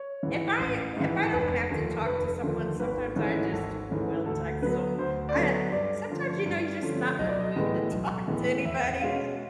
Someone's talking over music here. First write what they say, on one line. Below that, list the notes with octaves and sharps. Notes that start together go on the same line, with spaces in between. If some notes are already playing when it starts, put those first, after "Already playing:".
If I if I don't have to talk to someone, sometimes I just will text 'em. I, uh, eh sometimes you know you're just not in the mood to talk to anybody,
Already playing: C#5
G#2 E3
A1
G#2 E3
F1 B4
D#2 D3 F3 A3
F1 B4
D#2 D3 F3 A3
G#1 B4
G#2 E3 A3 C#4
G#1 A4
G#2 E3 A3 C#4
D2 A4
D3 F#3 B3 B4
D2 C5
D5
D3 F#3 B3 C#5
G2 D5
D3 F3 A3 C#4
G2
D3 F3 A3 C#4
B1 D#5
D5
D#5
A2 E3 G#3 B3
B1
A2 E3 G#3 B3
E2 E5
B2 G#3 C#4 F5